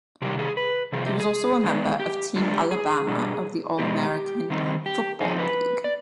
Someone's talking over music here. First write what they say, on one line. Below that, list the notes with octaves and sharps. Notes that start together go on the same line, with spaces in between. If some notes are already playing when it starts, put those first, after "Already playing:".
He was also a member of Team Alabama of the All American Football League.
C3 D#3 G3 G4
G#4
B4
C3 F3 C4 G#4
G4
G#4
D3 G#3 B3 D4
G4
D3 G#3 D4 F4
G4
G#4
B2 G3 D4
B2 G#3 B3 D#4 G4
D#3 G3 C4 D#4
G4
F3 C4 D#4 G#4
B4
D5